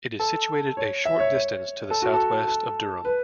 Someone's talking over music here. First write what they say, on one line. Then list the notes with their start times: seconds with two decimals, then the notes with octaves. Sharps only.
It is situated a short distance to the southwest of Durham.
0.20 A4
0.77 C#5
1.05 E5
1.20 C#5
1.34 C#5
1.91 A4
2.02 F#4
2.14 A4
2.48 A4
3.05 B4